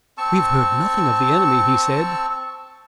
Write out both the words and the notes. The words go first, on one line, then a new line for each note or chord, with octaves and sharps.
"We have heard nothing of the enemy," he said.
C4 A5 C#6 E6